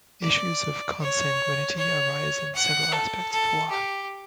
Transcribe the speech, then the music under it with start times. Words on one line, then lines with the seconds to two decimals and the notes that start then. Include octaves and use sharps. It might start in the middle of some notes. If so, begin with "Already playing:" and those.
Issues of consanguinity arise in several aspects of the law.
0.22 D5
1.00 C#5
1.77 C#5
2.55 F#5
2.93 A4
3.31 A4
3.70 G4